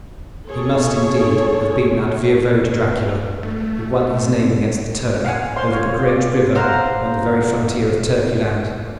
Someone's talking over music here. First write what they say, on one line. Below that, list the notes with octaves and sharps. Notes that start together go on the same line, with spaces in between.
He must, indeed, have been that Voivode Dracula who won his name against the Turk, over the great river on the very frontier of Turkey-land.
F4 G#4 A4 C#5
A3
F5 F#5 G#5
C5 F5 C6
F4 C#5 F5
D5
C5 F5 F#5 A#5